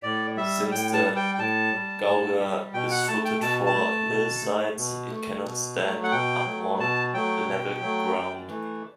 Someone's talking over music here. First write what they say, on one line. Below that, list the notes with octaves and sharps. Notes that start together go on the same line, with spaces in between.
Since the gouger is footed for hillsides, it cannot stand up on level ground.
A2 D5
G3 E5
A2 G5
A5
G3
G5
G5
A2 A5
G3
A2
G3
B2 G5
F#5
A3 A5
G5
B2 A5
A5
A3
B2
A3
B2
A3
B2
F#3 A3
F#5
B2 G5
F#3 A3
B2 A5
F#3 A3 G5
B2
F#3 A3
F#2
E3 A3